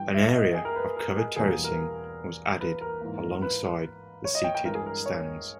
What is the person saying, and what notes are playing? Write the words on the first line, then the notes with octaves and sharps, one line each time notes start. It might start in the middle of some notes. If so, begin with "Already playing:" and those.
An area of covered terracing was added alongside the seated stands.
Already playing: G2 E3 G3 G5
E5
D#5
G#4
A#4
B4
A#4
G#4
E2 B2 G3 A#3 G#4
G#4
A#4
B4
A#4
G#2 E3 A#3
B4
C#5
D#5
G5
G5
G2 E3 G#3 A#4
G#4
A#4
C#5